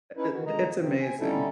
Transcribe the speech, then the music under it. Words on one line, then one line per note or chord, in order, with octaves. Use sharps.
Eh, It Th It's amazing.
C#4 D#4 E4 B4
D#3 E3 F#4
B2 D3 G#3 D#5 A#5
G2 C3 C4
C4 G#5
D3 G3 C#4 D#4 E4 A4